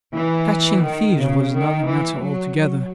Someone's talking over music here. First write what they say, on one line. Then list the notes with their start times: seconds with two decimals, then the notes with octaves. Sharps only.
Catching thieves was another matter altogether.
0.15 E3
0.83 D#3
1.18 C#3
1.53 D#3
1.87 E3
2.22 F#3
2.56 F#3